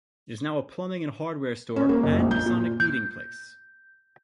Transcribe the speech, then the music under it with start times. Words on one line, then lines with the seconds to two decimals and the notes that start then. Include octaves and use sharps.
It is now a plumbing and hardware store and Masonic meeting place.
1.76 C#4
1.89 A#3
2.03 F#1
2.18 A#1
2.31 G6
2.46 A#2
2.80 G6